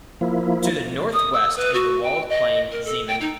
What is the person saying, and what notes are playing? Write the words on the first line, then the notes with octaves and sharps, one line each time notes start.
To the northwest is the walled plain Zeeman.
F3 A#3 E4
D#6
E6
B4
F#4
G5
D#5
A#4
A4
G5
D#4